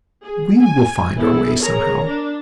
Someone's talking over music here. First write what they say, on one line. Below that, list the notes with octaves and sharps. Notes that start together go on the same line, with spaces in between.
We will find our way somehow.
G#4
G#5
B3 E4 G#4 A4
G#4 A#4 C#5 A#5
D4